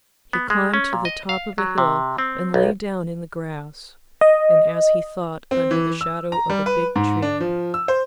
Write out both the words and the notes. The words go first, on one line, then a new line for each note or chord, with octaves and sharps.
He climbed to the top of a hill and lay down in the grass, and as he thought under the shadow of a big tree.
B3
G#3
C#4
A#2
D#5
F5
F#3
C3
C4
B1
D#5
C4
E3
E6
A#5
G3
B4
G#2
D4
F3
E6
C5